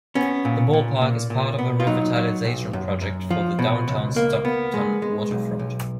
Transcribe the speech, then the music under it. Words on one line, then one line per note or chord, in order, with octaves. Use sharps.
The ballpark is a part of a revitalization project for the Downtown Stockton waterfront.
B3 C#4
A#2
A#2
A#2
A#2
B3
F4
F#3 D#4
F#3
B1
F#2
F#2
F3
B2
C#2
A#3
B3
G#3
G#3
B1
B1